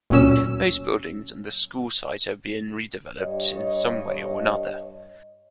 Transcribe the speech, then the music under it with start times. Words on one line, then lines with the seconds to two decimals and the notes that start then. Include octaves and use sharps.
Most buildings on the school site are being redeveloped in some way or another.
0.10 D2 A#2 F#3 C#4 E6
3.20 G2 C#5 D#5